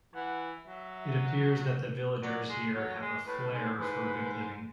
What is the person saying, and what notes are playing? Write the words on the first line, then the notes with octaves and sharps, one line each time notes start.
It appears that the villagers here have a flarir for good living.
E3 F#5
F#3 E5
F#3 D5
G#3
F#3 C#5
G#3
A2 B4
F#2
G#2
G#2 B4